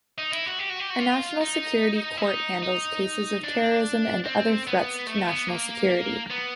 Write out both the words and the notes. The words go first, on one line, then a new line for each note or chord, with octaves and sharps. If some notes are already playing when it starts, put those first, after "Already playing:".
A National Security Court handles cases of terrorism and other threats to national security.
D#4
E4
F#4
G4
F#4
G4
F#4
F4
D#4
E4
D#4
D#4
D4
C4
B3
A3
B3
A#3
B3